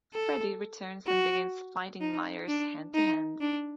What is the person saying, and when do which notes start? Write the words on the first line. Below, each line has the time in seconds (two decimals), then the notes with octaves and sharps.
Freddie returns and begins fighting Myers hand-to-hand.
0.14 A4
1.07 F#4
2.01 D#4
2.48 D4
2.94 D#4
3.41 D4